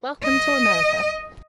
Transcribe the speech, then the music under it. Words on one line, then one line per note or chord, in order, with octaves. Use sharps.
Welcome to America.
D#5